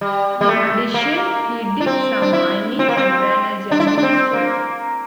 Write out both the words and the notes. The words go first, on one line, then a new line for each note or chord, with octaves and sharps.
In addition, he did some mining and ran a general store.
G3
G3
A3
A#3
D4
C4
D4
E4
C4
A#3
C4
D4
E4
D4
D4
C4
A#3